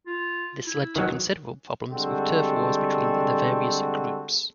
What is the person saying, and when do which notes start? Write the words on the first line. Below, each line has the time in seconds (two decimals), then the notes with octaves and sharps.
This led to considerable problems with turf wars between the various groups.
0.06 F4
0.66 E4
0.96 D#3 E3 F#3
1.90 D3 G3 G#3 C4 F#4 A4